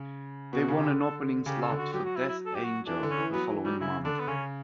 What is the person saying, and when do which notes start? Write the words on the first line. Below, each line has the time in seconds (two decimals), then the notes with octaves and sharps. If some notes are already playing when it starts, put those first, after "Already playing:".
They won an opening slot for Death Angel the following month.
Already playing: C#3
0.53 B2 F#4
0.68 C#3
0.76 G4
0.84 D3
1.00 A4
1.46 C#3 G4
1.62 A4
1.70 D3
1.78 F#4
1.93 F#3 G4
2.05 F#4
2.17 E4
2.29 E4
2.46 A4
2.55 G4
2.64 F#4
2.87 E3 D4
3.03 D3
3.10 C#4
3.18 E3
3.34 F#3 B3
3.50 E3
3.65 F#3 G3
3.81 C#3 E4
4.05 D3 D4
4.20 B3
4.28 C#3 C#4